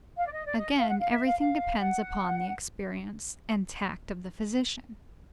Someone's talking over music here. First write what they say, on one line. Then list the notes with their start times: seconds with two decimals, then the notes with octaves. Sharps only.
Again everything depends upon the experience and tact of the physician.
0.17 F5
0.26 D5
0.31 D#5
0.45 D5
0.57 D#5
0.78 F5
0.88 F#5
0.98 F5
1.12 E5
1.25 F5
1.39 F5
1.80 F#5